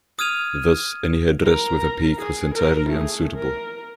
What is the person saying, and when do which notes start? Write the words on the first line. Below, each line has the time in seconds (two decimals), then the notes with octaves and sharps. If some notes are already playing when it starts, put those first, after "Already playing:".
Thus, any headdress with a peak was entirely unsuitable.
0.19 D#6 F6 G#6 D#7 F7
1.43 A#4 A#5
2.18 G#4
2.54 A#4
2.90 A3 G#4
3.35 A#4